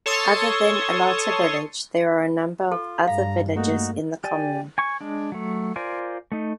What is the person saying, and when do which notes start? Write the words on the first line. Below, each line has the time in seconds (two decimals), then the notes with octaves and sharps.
Other than Alata village there are a number of other villages in the commune.
0.06 A4 C#5 A5 C6 C#6 D#6
2.72 F4 A4
3.08 G2 F5 A#5
3.56 A3 A#3 D#4 F#4
4.24 G4 D5 G#5
4.78 G#5 C#6
5.01 G#3 D4
5.32 F#3 A3
5.76 F4 A#4 C5 D5 G#5
6.32 A3 D#4